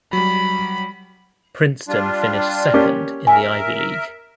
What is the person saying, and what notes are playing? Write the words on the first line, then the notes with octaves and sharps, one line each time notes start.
Princeton finished second in the Ivy League.
F#3 G3 B5
G3 D4 F4
A#3 C#4 G4
A#4 E5 G#5